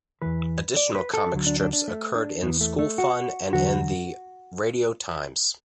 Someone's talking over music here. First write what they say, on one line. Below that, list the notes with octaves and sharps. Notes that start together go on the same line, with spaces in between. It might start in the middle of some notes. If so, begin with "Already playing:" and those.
Additional comic strips occurred in "School Fun" and in the "Radio Times".
E2 E3 B4
D5
B4
A4
D2 D3 F#3
D4
D4
D4
A3
D4
E2 E3 B3
A3
A3
F#4
E2 D3 F#3 F#4